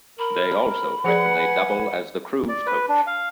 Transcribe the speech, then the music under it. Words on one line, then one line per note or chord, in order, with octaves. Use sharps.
They also frequently double as the crew's coach.
A#4 B5
F3 G#4 B4 D5 F#5 G#5
D5
B4
D4
F5